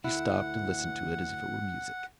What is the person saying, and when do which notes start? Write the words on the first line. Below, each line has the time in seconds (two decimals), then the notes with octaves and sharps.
She stopped, and listened to it as if it were music.
0.04 D2 E4 F#5